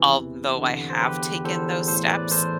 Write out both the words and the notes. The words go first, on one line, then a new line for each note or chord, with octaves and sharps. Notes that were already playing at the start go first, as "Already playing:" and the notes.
although I have taken those steps
Already playing: C3 E3
E2
D3
C5
E2 G4 B4
E2 A4 C5
A2 A4 C5
B4 D5
E3 A4 C5